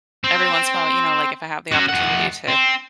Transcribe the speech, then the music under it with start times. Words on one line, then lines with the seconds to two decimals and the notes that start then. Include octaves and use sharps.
every once in while, know, like if I have the opportunity to,
0.24 C4
1.72 C#4 F#4
1.89 F2 F#5
2.48 C4